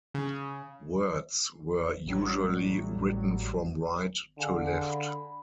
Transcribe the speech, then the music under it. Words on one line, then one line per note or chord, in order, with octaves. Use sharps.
Words were usually written from right to left.
C#3
A1 A2 F#3 G3
D3 G#4 F5 G#5
B5